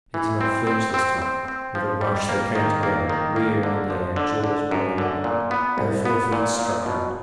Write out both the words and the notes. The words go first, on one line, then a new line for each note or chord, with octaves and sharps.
They did not flinch this time. With a rush they came together, rearing in the air, jaws wide apart. Their fore-feet struck out.
E3
C4
C4
C4
C4
C4
F3
G3
A#3
D#3
A#3
D#3
A#3
D3
F3
D3
D3
F#2
D3
A#2
B3
C2
B3
A#2
A#2
B2